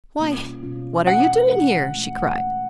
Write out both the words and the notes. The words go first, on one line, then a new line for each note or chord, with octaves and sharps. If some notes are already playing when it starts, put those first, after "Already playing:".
"Why, what are you doing here?" she cried.
B2 G3 A#3 C#4 F4
B2 G3 A#3 C#4 F4
E3 G#3 C#4 F#5
E3 G#3 C#4
A3